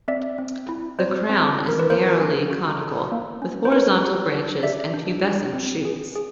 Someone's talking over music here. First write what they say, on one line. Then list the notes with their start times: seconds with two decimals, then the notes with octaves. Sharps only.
The crown is narrowly conical with horizontal branches and pubescent shoots.
0.08 C4 D5 E5
0.38 C4
0.69 E4
0.99 C4 C5 D5
1.29 C4
1.59 C4
1.69 A#4
1.79 B4
1.90 A#3 A#4 C5
2.21 C#4
2.50 F#4
2.81 A4
3.12 A#3
3.42 C#4
3.65 C5
3.72 D4 B4 C#5
4.03 G4
4.33 D4
4.63 G4 D5 E5
4.94 D4
5.24 D4
5.54 C4
5.85 G#4
6.16 G#4